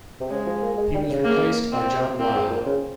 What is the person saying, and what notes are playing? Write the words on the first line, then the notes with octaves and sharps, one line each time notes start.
He was replaced by John Blaha.
C3
C#3 G#3
F3
A#3
G#3
G3
C#3
A#3
C4
A#2 C4
G#2
A#2
C#3